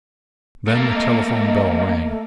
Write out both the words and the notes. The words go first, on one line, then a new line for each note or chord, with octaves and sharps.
Then the telephone bell rang.
A3 A#3
D#5
A3